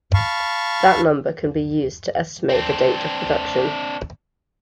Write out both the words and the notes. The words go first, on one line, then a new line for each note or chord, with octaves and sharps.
That number can be used to estimate the date of production.
F5 A5 B5 C#6
C4 D4